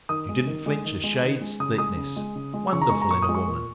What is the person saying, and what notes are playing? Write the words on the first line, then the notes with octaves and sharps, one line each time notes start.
"You didn't flinch a shade's thickness. Wonderful in a woman!"
D#3 D#6
G#3
D#3
G#3
D#3
G#3
D#3
G#3
C#3 D#6
G#3 D#6
C#3
G#3
C#3
G#3
C#3 C#6
A#5
G#3 C#6
A#5
A#2 C#6
D#6
G#3
C#6
A#2